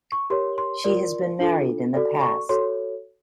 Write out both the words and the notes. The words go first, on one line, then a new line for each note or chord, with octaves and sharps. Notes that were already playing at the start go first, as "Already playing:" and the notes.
She has been married in the past.
C#6
G4 A#4 C#5 C6
C6
F4 A#4 D5
D4 F4 A4
F#4 A4 D5
C#6
F#4 A4 C#5 C6